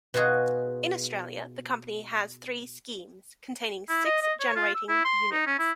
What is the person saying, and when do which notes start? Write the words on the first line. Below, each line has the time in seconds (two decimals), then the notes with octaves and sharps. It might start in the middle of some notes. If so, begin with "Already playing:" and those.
In Australia, the Company has three schemes containing six generating units.
0.14 B2 D#4 F4 F#4 G#4
3.89 E4
4.05 D#5
4.22 D#5
4.40 C#5
4.56 F4
4.74 E6
4.88 E4
5.05 C6
5.32 D#4
5.47 C#4
5.59 E4